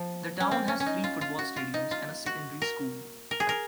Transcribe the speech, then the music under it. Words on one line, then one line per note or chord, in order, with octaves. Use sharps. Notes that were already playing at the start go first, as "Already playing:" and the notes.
The town has three football stadiums and a secondary school.
Already playing: F3
C#4
C4
C#4
C#4
D#4
F4
F4
F#4
F4
D#4
F4
F#4
A#4
A#4
G#4
A#4